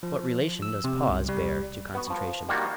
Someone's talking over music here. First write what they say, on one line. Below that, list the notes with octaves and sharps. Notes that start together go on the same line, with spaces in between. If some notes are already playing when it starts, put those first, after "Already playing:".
What relation does pause bear to concentration?
F3
E6
C3
C2
G3
B3 F#4
F3
D#3 G3 A#3 F4 F#4